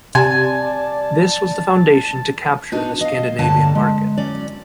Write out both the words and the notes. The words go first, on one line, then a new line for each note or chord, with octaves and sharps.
This was the foundation to capture the Scandinavian market.
C3 D5 G#5 A5
B3 D4 D#4 F#4
D#5 F5
D2 G2 D3 A#3 C#5 A5
G#3
F#3 C#4 D5